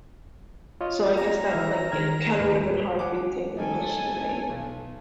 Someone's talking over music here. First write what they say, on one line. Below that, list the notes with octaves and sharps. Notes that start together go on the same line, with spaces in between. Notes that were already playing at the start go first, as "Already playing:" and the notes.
So, I guess that, like, it kinda would've been hard for you to answer the question, right?
F4 C#5 D#5
A#5
E3 E5 F6
D#3 F6 G#6
D#2 A2 B4
F#5 G#5 D6
D#3 G3 D#4 A4 G#5
B1